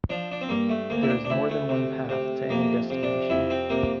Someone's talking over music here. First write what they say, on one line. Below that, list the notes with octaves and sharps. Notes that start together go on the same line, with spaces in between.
There is more than one path to any destination.
F3 D4
D4
C4
G2 A#3
A3
D2 A#3
E4
D4
D4
D2 E4
A3
C3
C3
F2 A#3
C3
D4
F2 E4
C4
C3 A#3